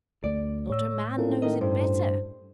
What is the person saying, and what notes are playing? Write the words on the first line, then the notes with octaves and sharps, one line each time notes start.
Not a man knows it better.
D2 A3 D5
A2 C#5 E6
A#2 C#4 E4 A4
D#3 D#5
G2 C5